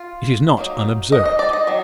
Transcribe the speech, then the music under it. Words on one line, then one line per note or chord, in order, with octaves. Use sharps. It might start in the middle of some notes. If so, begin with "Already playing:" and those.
It is not unobserved.
Already playing: F4
F#3 A#3 D#4
D#5
D#5
D5
D#5
D#3 F#3